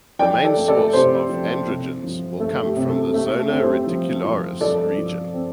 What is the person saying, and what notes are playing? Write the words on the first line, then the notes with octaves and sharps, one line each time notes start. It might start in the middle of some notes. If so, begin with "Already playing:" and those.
The main source of androgens will come from the zona reticularis region.
F3 D5 G5
A4 D5
A3
A4 D5
C3 G4 C5
F3
C3
F3
A3 A4
G4
C3
A4
A3 G4
A4
C4
G4 C5
F3
F3
F3 A4 D5
F3
C4